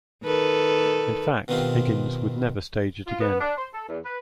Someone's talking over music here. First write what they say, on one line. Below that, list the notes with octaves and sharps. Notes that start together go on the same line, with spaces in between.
In fact, Higgins would never stage it again.
D#3 A4 B4
B2 D#3 B3 C4 F4 G4
F4
B3
D4
C5
A4
E2
B4